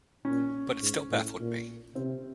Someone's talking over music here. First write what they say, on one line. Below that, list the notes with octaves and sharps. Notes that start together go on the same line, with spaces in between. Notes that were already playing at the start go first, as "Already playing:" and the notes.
But it still baffled me.
A#2 C#4
G#2
A2
A#2
C3 C4